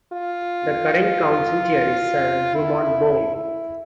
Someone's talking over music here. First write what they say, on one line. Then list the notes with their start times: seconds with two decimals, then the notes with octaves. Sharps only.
The current Council Chair is Sir Drummond Bone.
0.13 F4
2.54 E4
3.35 E4